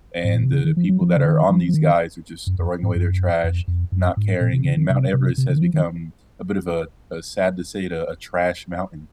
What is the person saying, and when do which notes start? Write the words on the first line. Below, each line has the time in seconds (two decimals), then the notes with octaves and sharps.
and the people that are on these guides are just throwing away their trash, not caring, and Mount Everest has become a bit of a uh, sad to say it, uh, a trash mountain.
0.25 G#2
0.34 A#2
0.43 C3
0.53 C#3
0.65 D#3
0.77 F3
0.89 F#3
1.01 F3
1.17 C#3
1.25 D#3
1.50 F3
1.69 F3
1.74 D#3
2.47 F#2
2.59 F2
2.83 G#2
2.96 F#2
3.44 F2
3.68 F2
3.92 F#2
4.17 G#2
4.41 A#2
4.53 C3
4.65 C#3
4.77 D#3
4.90 C3
5.13 C3
5.38 C3
5.49 C#3
5.56 D#3
5.61 F3
5.74 D#3